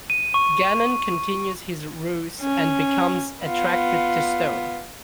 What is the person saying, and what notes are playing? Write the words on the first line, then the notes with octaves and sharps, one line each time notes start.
Gannon continues his ruse and becomes attracted to Stone.
D#7
C#6
C#4
B3 F4